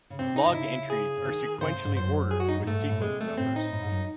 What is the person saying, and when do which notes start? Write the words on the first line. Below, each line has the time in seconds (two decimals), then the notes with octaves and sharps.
Log entries are sequentially ordered with Sequence Numbers.
0.10 C#3
0.19 C3 C4
0.36 D#4
0.47 C3
0.55 C#3 E4
0.90 G#4
1.17 C#3
1.25 D#3
1.61 C#3 C5
1.72 C3
1.84 G#2
1.96 F#2 C5
2.31 G#4
2.40 F#4
2.48 D#4
2.60 A2
2.67 G#2 A3
2.79 G#2
2.90 A2
3.02 C3 G#3
3.20 A3
3.38 A2 C4
3.56 D#4
3.72 A2
3.82 G#2
3.90 F#2